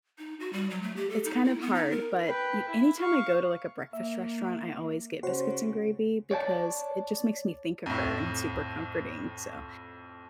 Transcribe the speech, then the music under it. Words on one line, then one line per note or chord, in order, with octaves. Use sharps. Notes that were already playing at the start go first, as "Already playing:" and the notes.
It's kind of hard but y anytime I go to, like, a breakfast restaurant, I always get biscuits and gravy because it just makes me think of her and it's super comforting. So,
D#4
F#4
G3
F#3
A3
G4
A4
D#4
E4
B3
D#4
A#4
B4 G5
E4 B5
F5 C#6
A#3 E5
C#3 F#4 C5 C#5
C#5 D5 G5 A5
F2 A2